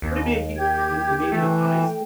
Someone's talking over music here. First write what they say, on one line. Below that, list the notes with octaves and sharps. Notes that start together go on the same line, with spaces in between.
But I mean if you and and maybe the thought is,
D#2
G4 G#6
E3 A3 G5